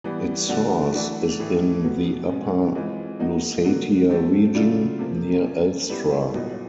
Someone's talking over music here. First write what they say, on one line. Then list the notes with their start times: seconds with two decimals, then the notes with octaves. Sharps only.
Its source is in the Upper Lusatia region, near Elstra.
0.04 E3 G3 B3
0.49 D3 F#3 A3 D4 F#4
0.94 E3 A3 D4 F#4
1.40 A2 E3 A3
1.84 B2 F#3 B3
2.29 B2 G#3 C#4
2.75 E3 G#3 C4 F4
3.19 F3 A#3 D#4 F#4
3.65 D3 F#3 A#3
4.10 F#3 A3 C4
4.54 C#3 F#3 A3 D4 F4
4.99 C3 F3 A#3
5.44 F3 A#3 C#4 F4
5.90 G3 B3 E4 G4
6.34 A#2 F#3 B3 D#4